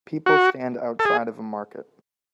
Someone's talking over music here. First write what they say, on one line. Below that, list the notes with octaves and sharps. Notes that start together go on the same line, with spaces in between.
People stand outside of a market.
F#4
A4
G#4